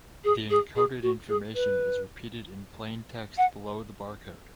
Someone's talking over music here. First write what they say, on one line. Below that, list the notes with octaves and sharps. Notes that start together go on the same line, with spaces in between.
The encoded information is repeated in plain text below the barcode.
G#4
G#4
G#4
F#4
G#4
B4
F#5